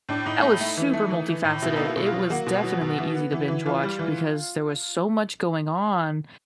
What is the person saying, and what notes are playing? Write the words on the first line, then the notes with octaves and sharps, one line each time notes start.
that was super multifaceted. It was definitely easy to binge-watch because there was so much going on,
A2 D4
A2 D#4
A3
A3
E3
A3
E3
E3
A2
B2 E4
A#3 D#4
E4
B2
F4
F#3
A#3 F#4
B2
F#3
B2
E3
B3
E3
E3
E3 F4
G3
E3